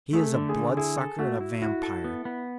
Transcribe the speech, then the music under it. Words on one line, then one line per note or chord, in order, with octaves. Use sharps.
He is a bloodsucker and a vampire.
A3 G#4
A4
D3
G#4
D3
E4 G#4
A4
A3 F#4
E4
E4 F#4
A4
B3
B3